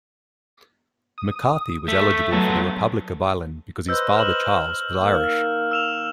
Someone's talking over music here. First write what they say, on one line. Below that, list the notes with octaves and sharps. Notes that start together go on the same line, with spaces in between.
McCarthy was eligible for the Republic of Ireland because his father, Charles, was Irish.
D#6
A3 B6
F#3 B3 A4
B4 C5 D#5 E6 G6
F6 E7 F#7
D#3 A#3
F6
E6 E7 F7